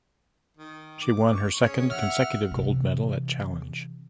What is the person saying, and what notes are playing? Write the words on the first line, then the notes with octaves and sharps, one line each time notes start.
She won her second consecutive gold medal at Challenge.
D#3
D6
C#6
C#4 G#4 C#5
E5 F#5 F6
C3 E3